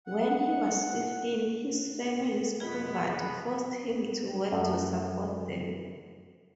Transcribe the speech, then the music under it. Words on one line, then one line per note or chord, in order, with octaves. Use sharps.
When he was fifteen, his family's poverty forced him to work to support them.
F#5
F#2 C3 G#3 B3 F4 G#4 B5
F#2 A3